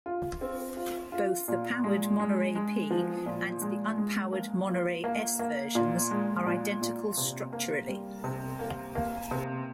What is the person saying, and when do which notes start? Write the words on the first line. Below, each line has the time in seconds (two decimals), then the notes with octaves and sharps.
Both the powered Monerai P and the unpowered Monerai S versions are identical structurally.
0.06 F4
0.41 C4
0.77 F4
1.12 F4
1.48 A#2
1.84 G#3
2.19 G#3
2.55 G#3
2.91 F3
3.26 A#2
3.61 G#3
3.98 G#3
4.33 A#3
4.68 F4
5.04 A#3
5.39 A#3
5.75 A#2
6.11 G#3
6.46 A#2
6.82 A#2
7.18 C3
7.53 A#3
7.88 G3
8.24 C3
8.59 A#3
8.95 A#3
9.31 C3